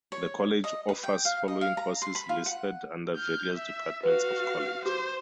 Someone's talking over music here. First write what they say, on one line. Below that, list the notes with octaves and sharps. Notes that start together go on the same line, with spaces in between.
The college offers following courses listed under various departments of college.
C#5
D#5
B4
G5
F5
D#5
F5
A#5
C6
B5
F4
F#5
F6 G6
E5
F#4 B4 F5
F#4 C5 D6